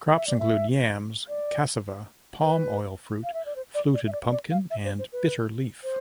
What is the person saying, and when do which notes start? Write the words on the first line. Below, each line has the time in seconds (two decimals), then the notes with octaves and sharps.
Crops include yams, cassava, palm-oil fruit, fluted pumpkin and bitter-leaf.
0.14 E5
0.27 D5
0.39 E5
1.29 D5
2.43 B4
3.24 F5
3.34 E5
3.46 D5
3.56 C5
3.75 D5
3.94 D5
4.07 E5
4.12 D5
4.32 D5
4.51 F5
4.71 E5
4.84 C5
4.99 C5
5.12 B4
5.83 C5